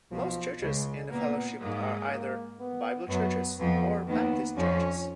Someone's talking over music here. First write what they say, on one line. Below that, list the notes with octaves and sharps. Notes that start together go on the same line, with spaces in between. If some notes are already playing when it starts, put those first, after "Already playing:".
Most churches in the fellowship are either "Bible Churches" or "Baptist Churches".
B1 B2 F3
C#2 C#3 G#3
A#2 A#3 B3
G#2 G#3 A#3
A#3
B3
F#2 F#3 B3
F2 F3 B3
D#2 D#3 B3
F2 F3 C#4